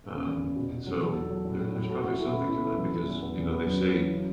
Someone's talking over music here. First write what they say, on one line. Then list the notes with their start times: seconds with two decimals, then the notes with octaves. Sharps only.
Um, so there there's probably something to that because, you know, they say,
0.12 C#3
0.27 E2
0.42 F#1
0.56 B2
0.71 B2
0.87 F#3
1.01 E2 A4
1.15 F#3
1.30 F#3
1.45 A2
1.60 A2
1.75 A2
1.89 A3 F#4
2.04 E4 F#4
2.19 E4 A4
2.34 B2 C#4
2.48 E4
2.56 B3
2.64 A3
2.78 E3 F#3
2.94 E3
3.08 E2
3.22 B3
3.37 E2
3.52 B3
3.66 F#2 F#3
3.81 F#2
3.97 E3
4.12 C#3